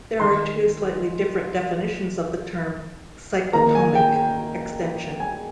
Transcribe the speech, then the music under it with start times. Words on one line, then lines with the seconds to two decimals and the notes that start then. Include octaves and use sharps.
There are two slightly different definitions of the term cyclotomic extension.
0.19 D#3 G#3 C6
3.53 D#3 A#3 A#5
3.75 G#5
3.95 G5
4.16 G5
5.20 G#5